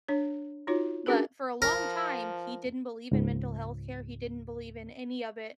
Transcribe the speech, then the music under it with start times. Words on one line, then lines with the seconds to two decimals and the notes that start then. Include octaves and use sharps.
but for a long time, he didn't believe in mental health care. He didn't believe in any of it,
0.08 D4 C#5
0.67 D#4 F4 F#4 C#5
1.06 C#4 D4 F#4 G#4 A#4 B4
1.62 F3 A#4
3.11 C#2 G#2